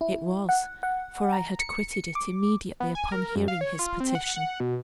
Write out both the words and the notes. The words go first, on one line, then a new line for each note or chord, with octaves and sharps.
It was, for I had quitted it immediately upon hearing his petition.
E4
F#5
F#5
A#5
C#7
D6
B3
G#5
A#4
F#2
F5
C#5
F4
C4
F#5
F#5
B2